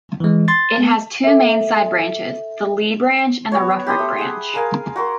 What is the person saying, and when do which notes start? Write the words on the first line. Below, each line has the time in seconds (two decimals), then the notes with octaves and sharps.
It has two main side-branches, the Leigh Branch and the Rufford Branch.
0.20 E3 G#3
0.48 C6 A6
0.78 B3
1.24 A4 E5
3.52 B3 F#4 C#5
3.86 G4 B5 C6 D#6
3.99 A3
4.18 G#4 F#5
4.54 G#4 A#4 F5 G#5
4.96 F#4 A#4 C6